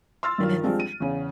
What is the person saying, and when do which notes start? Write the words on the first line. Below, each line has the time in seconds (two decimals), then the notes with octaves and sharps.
And it's
0.23 C6 E6 F6 A6
0.38 G2 D#3 F3
0.63 F3 G3 G#3 C4 D4
0.80 D#7
1.00 E2 C#3